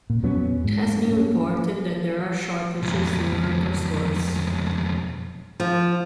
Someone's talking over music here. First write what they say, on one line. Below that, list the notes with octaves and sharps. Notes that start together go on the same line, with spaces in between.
It has been reported that there are shortages in Mercal stores.
A#2
E2 F#3 B3 C#4
G#2
A#3 C#4
B1 F2
F3